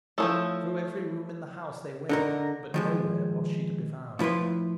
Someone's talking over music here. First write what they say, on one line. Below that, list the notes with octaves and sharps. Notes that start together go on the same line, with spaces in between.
Through every room in the house they went, but nowhere was she to be found.
F3 F#3 A3 E4 C#5 D#6
D3 D#4 A#4
D#3 F3 G#3
A2 F3 E4 B4 C6